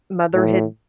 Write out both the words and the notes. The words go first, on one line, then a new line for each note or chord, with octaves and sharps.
mother had
A2